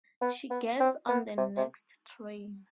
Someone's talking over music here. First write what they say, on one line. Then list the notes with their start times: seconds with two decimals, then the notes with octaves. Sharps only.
She gets on the next train.
0.22 B3
0.50 B3
0.80 C4
1.09 B3
1.38 C3
1.57 C3